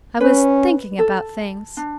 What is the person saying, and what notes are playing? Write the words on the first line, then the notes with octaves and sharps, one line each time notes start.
I was thinking about things.
C#4 B4
A4
D4